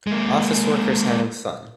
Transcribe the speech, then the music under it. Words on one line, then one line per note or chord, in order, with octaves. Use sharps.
Office workers having fun.
G#3 A#3